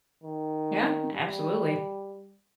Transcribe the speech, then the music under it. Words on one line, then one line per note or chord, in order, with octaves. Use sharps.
Yeah, absolutely.
D#3
G3